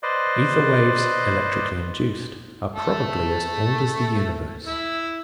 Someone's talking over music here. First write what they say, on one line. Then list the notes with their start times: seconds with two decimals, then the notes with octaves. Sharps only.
Ether-waves, electrically induced, are probably as old as the universe.
0.03 B4 C5 D5 D#5
2.75 A3 A4
4.67 E4 E6